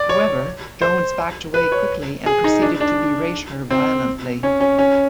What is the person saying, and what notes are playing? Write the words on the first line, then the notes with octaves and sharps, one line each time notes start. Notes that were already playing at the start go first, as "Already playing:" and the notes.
However, Jones backed away quickly and proceeded to berate her violently.
Already playing: D5
C#5
C5
B4
C#5
G#4
D#4
D4
D4
C4
C#4
C#4
C#4